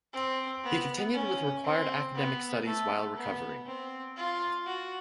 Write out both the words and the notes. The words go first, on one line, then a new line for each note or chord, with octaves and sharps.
He continued with the required academic studies while recovering.
C4
B3
C#4
C4
B3
A3
B3
C4
F4
F#4